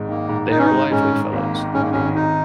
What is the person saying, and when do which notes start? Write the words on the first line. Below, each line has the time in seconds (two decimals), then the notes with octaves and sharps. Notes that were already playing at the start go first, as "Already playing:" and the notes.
They are lively fellows.
Already playing: G#1 G#2
0.09 D#3 A#3
0.29 G#2
0.50 G#2 D#4
0.58 C#4
0.65 D#4
0.70 G#3
0.91 G#2 C#4
1.12 G#2
1.33 G#1 A#3
1.54 D#3
1.74 G#2 C#4
1.82 A#3
1.91 G#1 C#4
2.15 G#1 D#4